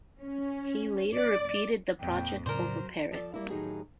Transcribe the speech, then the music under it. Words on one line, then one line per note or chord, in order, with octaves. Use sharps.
He later repeated the project over Paris.
C#4
D5
F2 A#2 G5
A2 C#3 F#3 A#4 C5 D5
F3 A4 A#4 D5
G3 A#3 E4
A2 D#3 F#3 D#4 G4 G#4